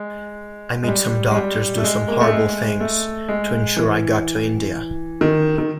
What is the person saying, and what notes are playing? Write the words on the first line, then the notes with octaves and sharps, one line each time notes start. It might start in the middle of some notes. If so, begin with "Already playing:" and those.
I made some doctors do some horrible things to ensure I got to India.
Already playing: G#3
G#3
G3
G#3
G3
A3
G#3
A#3
A3
G#3
A3
G#3
E3
D#3
D#3